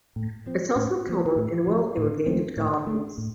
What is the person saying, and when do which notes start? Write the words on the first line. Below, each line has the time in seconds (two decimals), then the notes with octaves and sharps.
It is also common in well-irrigated gardens.
0.16 A2
0.46 F3 C4
0.76 A2
1.07 F3 C4
1.36 A2
1.67 F3 A3 C4
1.97 A2
2.26 F3 A3 C4
2.57 A2
2.87 A3 D4
3.18 A2